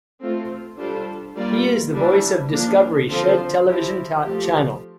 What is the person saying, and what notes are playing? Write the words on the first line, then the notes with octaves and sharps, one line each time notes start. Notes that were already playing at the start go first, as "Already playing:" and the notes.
He is the voice of the Discovery Shed television channel.
A3 C4 F4
G3 D4 F4 A4 C5
G3 A#3 F4 A#4 D5
E3 G3 D4
F3 A#3 D4
D3 F3 C4 F4 C5
F3 C4 E4 G4
F3 A3 C4 G4